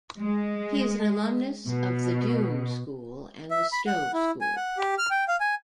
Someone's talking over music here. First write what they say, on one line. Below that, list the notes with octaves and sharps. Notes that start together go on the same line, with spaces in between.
He is an alumnus of The Doon School and the Stowe School.
G#3
B2
E5
B5
F#5
E4
G#5
F#5
G4
F6
G5
F5
G#5